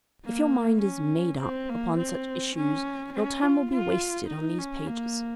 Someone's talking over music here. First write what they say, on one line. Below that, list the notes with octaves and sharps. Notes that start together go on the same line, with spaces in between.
If your mind is "made up" upon such issues your time will be wasted on these pages.
A#3
C#4
C4
A#3
C4
C#4
C#4
F4
F4
D#4
C#4
A#3